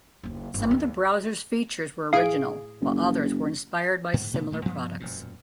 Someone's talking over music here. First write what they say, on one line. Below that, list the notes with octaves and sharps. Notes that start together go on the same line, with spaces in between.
Some of the browser's features were original, while others were inspired by similar products.
F#1 D#2
G1
D#2
A2 G#4 F5 D7
F#1
G#2
A#2 C#3 A3 B3
D#1 A#2 A3
D2 G2 F3 B3
E1 F#2 A#2